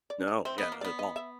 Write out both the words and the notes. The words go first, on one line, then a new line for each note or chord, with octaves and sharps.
No, yeah, not at all.
D5
D#5
C4 E5
B3 D#5
A#3
B3 D5
D#5
E5